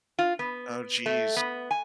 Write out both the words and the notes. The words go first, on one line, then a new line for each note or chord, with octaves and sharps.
Oh, jeez.
F4
B3
A3
B3
G#5